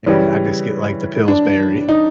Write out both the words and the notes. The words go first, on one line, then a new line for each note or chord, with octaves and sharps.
And I just get, like, the Pillsbury.
C#3 E3 G3 C#4
D4
D#4